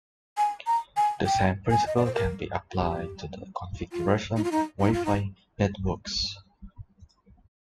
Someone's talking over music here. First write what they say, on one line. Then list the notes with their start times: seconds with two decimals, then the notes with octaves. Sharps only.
The same principle can be applied to the configuration of Wi-Fi networks.
0.38 G#5
0.67 A#5
0.97 G#5
1.26 G5
1.71 G#5
1.87 D#5
1.96 D5
2.05 C5
2.15 A#4
2.73 G4
3.92 F4
4.37 D#4
4.44 F4
4.52 D#4
4.80 D#4
4.93 F4
5.05 D#4